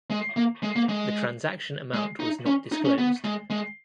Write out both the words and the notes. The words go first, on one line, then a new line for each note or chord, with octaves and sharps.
The transaction amount was not disclosed.
G#3
A#3
G#3
A#3
G#3
G#3
D#4
C#4
D#4
C#4
B3
G#3
G#3